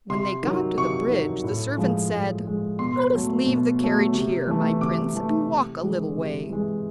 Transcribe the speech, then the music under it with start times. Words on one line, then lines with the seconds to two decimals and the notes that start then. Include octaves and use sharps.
When they got to the bridge the servant said: 'Let us leave the carriage here, my prince, and walk a little way.
0.10 C3 C6
0.43 D#3 F#3
0.78 C3 C#6
1.10 D#3 F#3
1.44 A2
1.78 F3 G#3
2.11 A2
2.46 F3 G#3
2.79 B2 C6
3.13 F#3 A3
3.47 B2
3.80 F#3 A3
4.13 C3
4.47 E3 A3
4.81 C3 D6
5.14 E3 A3
5.48 C3
5.81 E3 G#3
6.16 C3
6.50 E3 G#3